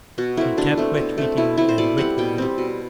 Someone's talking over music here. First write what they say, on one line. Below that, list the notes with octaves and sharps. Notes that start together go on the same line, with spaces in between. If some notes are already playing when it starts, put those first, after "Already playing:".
We kept wetweating and wetweating.
B2 F#4
A3 C4 E4
B2 D4
A3 C4
B2
A3 C4
B2 E4
A3 C4 E4
C5
B2 D5
G3 C4 F#5
B2 G5
G3 C4
B2